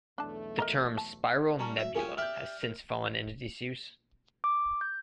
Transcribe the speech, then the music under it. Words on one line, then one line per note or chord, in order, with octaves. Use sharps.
The term "spiral nebula" has since fallen into disuse.
B1 E2 A3 D4 A5
A#4 D#5 A#5
A5
G3 C#4 A5 A#5
F#3 E5
C#4 F4 G4 G#4 A#4 G#5
G4 D5 E5 F6 G6
A#4
D6
G6